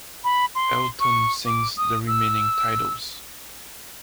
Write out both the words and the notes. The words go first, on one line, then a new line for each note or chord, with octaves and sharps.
Elton sings the remaining titles.
B5
C6
C#6
D6
D#6
E6